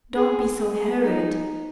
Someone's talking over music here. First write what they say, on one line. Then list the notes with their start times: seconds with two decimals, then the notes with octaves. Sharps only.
Don't be so hurried!
0.14 G#4
0.73 G#4
1.03 D#4